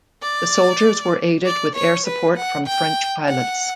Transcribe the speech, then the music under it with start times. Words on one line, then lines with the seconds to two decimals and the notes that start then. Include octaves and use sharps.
The soldiers were aided with air support from French pilots.
0.23 D5
1.46 D5
1.75 C#5
2.06 B4
2.36 F#5
2.66 G5
3.28 F#5